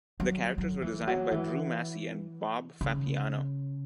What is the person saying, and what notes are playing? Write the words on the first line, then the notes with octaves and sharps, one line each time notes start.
The characters were designed by Drew Massey and Bob Fappiano.
F#3
F#3
E3
F#3
E3
C#3